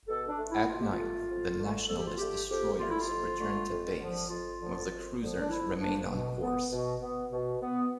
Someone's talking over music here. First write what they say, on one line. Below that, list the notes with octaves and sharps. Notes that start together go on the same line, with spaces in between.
At night, the Nationalist destroyers returned to base, while the cruisers remained on course.
B2 A4
D4
A3
E4
B2 F4
G4
F4
A3
F2
D3 A3
F2 A4
G4
F4
D3 A3 G4
F2 G4
D3 A3 F4
E4
F4
F2
D3 A3
F2
D3 F3
F2 F4
D3 F3
F2
D3 F3
D4
F2 E4
D3 F3 D4
B2
B3
B2
B3
B2
B3